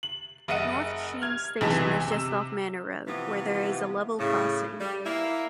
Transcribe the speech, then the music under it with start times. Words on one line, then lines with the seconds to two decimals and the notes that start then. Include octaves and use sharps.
North Sheen station is just off Manor Road, where there is a level crossing.
0.03 F#7
0.48 F#1 D#5 E5 F#5 D#7
1.22 F6 G#6
1.61 B1 C3 E3 G#4 A5 B6
2.07 C3 E6
3.07 C3 E3 F3 B3
4.19 A2 C#3
4.81 G3
5.06 A#3 E4